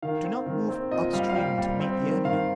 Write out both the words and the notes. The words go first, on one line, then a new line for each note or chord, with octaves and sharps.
Do not move up-stream to meet the enemy.
D#3 F5
C4
D#3
C4
A#2 D#5
G3 F5
F5
G3 G5
G3
C4
D#3
D#3 F5